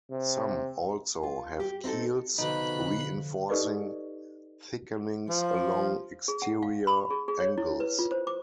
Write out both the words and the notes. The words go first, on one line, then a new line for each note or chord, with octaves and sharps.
Some, also, have keels, reinforcing thickenings along exterior angles.
C3
F4
G4
C4 D#4 F#4 A4
F1 B2 D3 D#4 B5 F#6
D#4 G4 A4 B4 D5 D#5
F3
G#4
F#5
F5
B5
G#4
G#4
C#5
E4
B4
F4
C5
D6